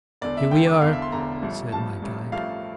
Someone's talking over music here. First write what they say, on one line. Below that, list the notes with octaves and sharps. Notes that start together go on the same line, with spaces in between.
"Here we are," said my guide.
E1 E2 D3 D5
E5
E1 E2 D3 G5
D6
E1 E2 D3 F5
E5
C6
E1 E2 D3 A#5
A1 G2 F3 A3
A1 G2 F3 A3 A5
A1 G2 F3 A3
A1 G2 F3 A3 F5